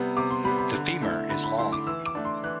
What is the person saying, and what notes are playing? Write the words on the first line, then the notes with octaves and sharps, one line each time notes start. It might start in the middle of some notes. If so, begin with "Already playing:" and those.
The femur is long.
Already playing: C3 G3 B3
C3 D6
C6
G3 B3 B5
B5
D3
A3 E4
D3 B5
B5
A3 E4 C6
D6
E3 E6
D6
A3 D4
C6
E3 F#6